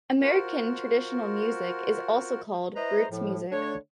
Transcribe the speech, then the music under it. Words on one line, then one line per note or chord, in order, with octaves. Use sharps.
American traditional music is also called roots music.
F4 F#4 A#4 C5 F#5
E4 B4 C5 D#5 A#5
A2 F3
D3 A3 D4 C#5